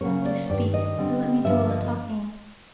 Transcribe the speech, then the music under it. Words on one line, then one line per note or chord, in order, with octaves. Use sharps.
Do speak! You let me do all the talking.
C#3 F#3 A#3 C#4 C#5
D5
G2 D#3 G3 D5
D#5
D3 G3 C4
G2 D3 F3 E5
D#5